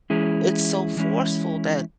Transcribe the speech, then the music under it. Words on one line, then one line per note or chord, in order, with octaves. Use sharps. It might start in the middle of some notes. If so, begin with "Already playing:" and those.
it's so forceful that
E3 G#3 C#4 E4 G#4
E3 G#3 C#4 E4